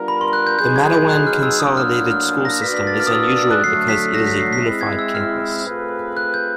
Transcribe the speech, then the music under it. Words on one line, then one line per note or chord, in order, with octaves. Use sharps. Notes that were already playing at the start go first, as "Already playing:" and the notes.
The Mattawan Consolidated School system is unusual because it is a unified campus.
Already playing: G3 B3 D4 F4 A#4
B5
C6
F#6
G6
F#3 B3 D#4 G#4 G6
G#6
G6
F#6
F6
E6
A2 F#3 A#3 D4 D#6
F6
F6
F6
A#6
A#3 D4 F#4 B4 D5 B6
B6
A6
F6
D#6
E6
D#6
E6
F#6
D3 F#3 A3 C7
B6
A#6
B6
C7
B6
G#3 C4 E4
G#6
E6
F6
A3 C4 F4 G#4 B4
F#6
G6